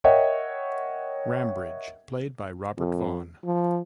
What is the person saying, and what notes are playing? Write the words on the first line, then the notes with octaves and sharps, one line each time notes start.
Rambridge, played by Robert Vaughn.
A#4 C#5 D#5 E5 F#5 G5
F2
F3